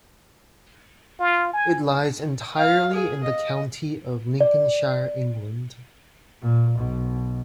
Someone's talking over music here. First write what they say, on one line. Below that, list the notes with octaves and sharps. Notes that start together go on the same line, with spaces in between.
It lies entirely in the county of Lincolnshire, England.
F4
G#5
F5
G#4
D#5
D5
A#2
B1 B2